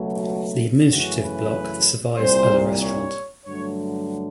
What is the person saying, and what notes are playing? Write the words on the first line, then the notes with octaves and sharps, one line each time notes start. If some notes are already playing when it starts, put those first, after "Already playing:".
The administrative block survives as a restaurant.
Already playing: C#2 B2 F#3 A3
F#2 C#3 E3 A3 F#4
B4
C2 A#2 G3 C5
C#5
G2 D3 F#3 A3 C#5